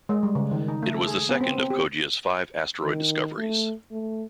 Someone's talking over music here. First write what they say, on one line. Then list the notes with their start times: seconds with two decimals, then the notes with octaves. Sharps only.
It was the second of Coggia's five asteroid discoveries.
0.09 G#3
0.23 G3
0.35 C#3
0.51 D#3
0.68 D#4
0.82 A3
0.95 A4
1.07 G#4
1.29 B3
1.41 C4
1.58 C4
1.70 G4
2.83 D#3
3.38 A3
3.91 A3